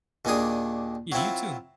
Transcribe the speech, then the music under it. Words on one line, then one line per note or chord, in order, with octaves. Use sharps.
Yeah, you too.
D#2 A#2 D#3 D4 G#4 D#6
F#3 C4 E4 F4